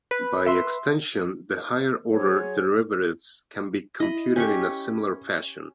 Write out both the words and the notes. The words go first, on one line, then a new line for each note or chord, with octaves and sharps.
By extension, the higher order derivatives can be computed in a similar fashion.
B4
E5 C6
F#3 G#4 C5 C#5
E4 D#5 B5
C#4 G4 C#6